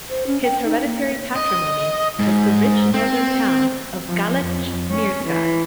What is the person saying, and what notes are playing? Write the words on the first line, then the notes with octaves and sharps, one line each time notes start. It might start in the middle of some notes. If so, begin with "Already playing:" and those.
His hereditary patrimony was the rich Northern town Galich-Mersky.
C5
C#4
G5
D#4
A#3
D#5
G#2
C4
F3
F2
C#4
E3